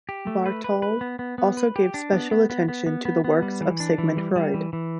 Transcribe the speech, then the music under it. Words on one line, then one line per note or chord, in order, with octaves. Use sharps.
Bartol also gave special attention to the works of Sigmund Freud.
G4
A3
B4
B4
B4
B3
B3
B3
B4
G4
D4
B3
B3
B3
B3
B3
B3
B3
G3
E3
D4
E3
G3
G3
E3
E3